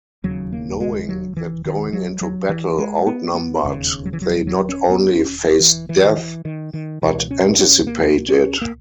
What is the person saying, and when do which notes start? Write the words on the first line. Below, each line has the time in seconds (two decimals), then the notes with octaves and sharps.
Knowing that going into battle outnumbered they not only face death but anticipate it.
0.24 E1 D#2 C#3 F#3
0.52 A#3
0.80 G#3
1.09 F#3
1.37 E3
1.65 D#3
1.93 F#3
2.21 F#3
2.49 E3
2.78 G#3
3.07 B3
3.34 B3
3.63 E1 D#2 C#3
4.05 F#3
4.13 E3
4.22 F#3
4.47 F#3
4.69 C#4
4.90 B3
5.11 C#4
5.60 E3
5.89 E3
6.05 D#3
6.17 E3
6.45 D#3
6.74 D#3
7.02 C#2 B2 E3
7.31 C#4
7.59 C#4
7.87 A#3
8.29 C#4
8.61 A#3